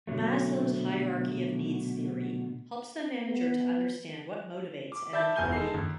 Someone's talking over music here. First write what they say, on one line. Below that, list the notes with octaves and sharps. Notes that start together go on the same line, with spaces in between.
Maslow's hierarchy of needs theory helps the manager to understand what motivates an employee.
B2 D3 F#3 A3
B3
D6
D5 E5 A5 B5 G6 A6
E1 E2 A#4 G#5 G6 G7
G#3 A4 D#5 C7
D#2